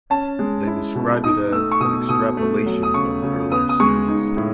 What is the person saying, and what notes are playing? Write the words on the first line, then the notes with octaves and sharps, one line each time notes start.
They describe it as an "extrapolation" of the earlier series.
C#4 A5
G#3
E4
B2
D#4 D#6
A3 E6
C#6
B2 D#6
B2 D#6
A3
F#3
D#6
C#3 C#6
C#3
B3 D#6
D#6
G#3 C#6
D#4
A2